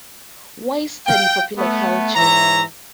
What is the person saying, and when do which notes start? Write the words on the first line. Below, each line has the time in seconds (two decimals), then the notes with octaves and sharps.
Why Study Popular Culture?
1.06 F5 G5
1.57 A3 B3
2.16 G#2 E3 C#5 E5 A#5